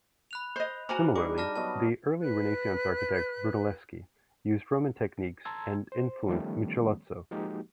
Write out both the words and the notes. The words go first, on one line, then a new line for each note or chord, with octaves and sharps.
Similarly, the early Renaissance architect Brunelleschi used Roman techniques and influenced Michelozzo.
B5 F#6 F7
C5 D#5
F#4 C5 G#5 A#5 D6 F6
G3 D4 D#4 G#4 D6
D5 A5 F6 A#6
F#3 B3 D#5 A5
B4 F#6
A5 A#5 C6 E6 G#6
C5
D#3 F3 G3 A3 B3 C#4
F3 G#3 A#3 D#4 F#4 G4